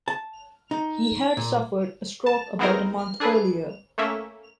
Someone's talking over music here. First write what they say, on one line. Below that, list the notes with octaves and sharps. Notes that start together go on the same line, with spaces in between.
He had suffered a stroke about a month earlier.
A5
D#4
A#2
A5
G#3 B3 C4 D#4 E4 A#4
D4 G#4 A4 B4
A3 A#3 C#4 E5